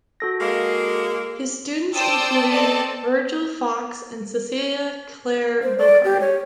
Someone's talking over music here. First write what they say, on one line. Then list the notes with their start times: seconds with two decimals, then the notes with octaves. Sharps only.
His students included Virgil Fox and Cecilia Clare Bocard.
0.20 F#4 A4 A#6
0.41 G#3 A#3
1.93 C5 D5 G5 A5 D#6 E6
2.50 C4 A4 D5 D#5 A5
5.63 C5
5.78 D5
6.05 G4
6.21 C#5